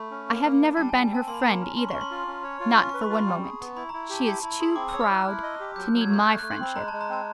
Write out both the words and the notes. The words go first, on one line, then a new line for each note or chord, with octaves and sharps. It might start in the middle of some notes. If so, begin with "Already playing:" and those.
I have never been her friend either, not for one moment; she is too proud to need my friendship.
Already playing: A3 B5
C#4
A#3
A#3
D4
G3 A5
G#5
G3
G#5
C4 A5
A#3 C6
B5
A#5
A#3 B5
C#4
C#4 C6
C#4 C#6
C6
F4
C#4
C#5
F4
C#4 C#6
B4 C#6
B5
F4
B5
G3
G#4
B3
E4 B5
E4 A#5
G4 A5
E4 A5
E4 B5
B5
G#4 C6
C4 D6
C#5 E6
F6
E4 F#6
E4
D#5
G4
F#3 G6
F#3
G#6
A3 G6
A3 F#6
A3 F#6
C6
C4 B5
G#3 A#5
G#3 A5
A#5
C4 A5